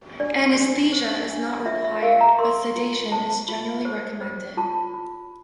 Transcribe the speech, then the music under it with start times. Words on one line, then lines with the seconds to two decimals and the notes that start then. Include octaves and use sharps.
Anesthesia is not required, but sedation is generally recommended.
0.20 D4 D5
0.57 D4
0.93 C5
1.29 D4
1.66 F4 E5
1.84 E5
2.02 A#4 F5
2.21 A#5
2.39 A#4 C6
2.76 F4
3.12 C5 A5
3.48 F4
3.85 C5
4.21 C5
4.57 F4 A5
4.94 F4